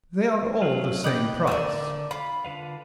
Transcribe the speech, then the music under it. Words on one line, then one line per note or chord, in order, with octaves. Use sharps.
"They are all the same price."
F#3 F4
D#4 B4 G5 D6 G6
D3 A3 A#4 D5 E6
F4 B5
D3 B4 F5